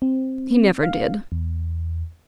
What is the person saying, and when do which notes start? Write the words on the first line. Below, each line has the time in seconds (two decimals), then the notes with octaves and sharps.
He never did.
0.02 C4
0.83 F5
1.32 E2